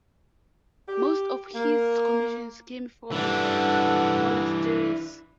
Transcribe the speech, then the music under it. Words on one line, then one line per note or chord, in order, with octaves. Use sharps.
Most of his commissions came from monasteries.
G4
A#3
G2 E3 D4 A4 F#5